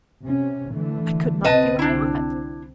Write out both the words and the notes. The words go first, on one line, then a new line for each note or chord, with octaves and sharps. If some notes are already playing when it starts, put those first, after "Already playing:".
I could not feel my heart.
C3 C#4
D3 E3 A3
C2 D3 C4 B4 D#5 A5
D4 E4